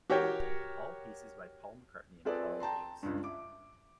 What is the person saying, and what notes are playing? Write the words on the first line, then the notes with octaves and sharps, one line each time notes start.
All pieces by Paul McCartney and Carl Davis.
F#4 G4 A#4 C#5 G5
C4 F4 G#4 A4 B4 D5
G5 A5 A#5 C6
C#2 G2
E5 D6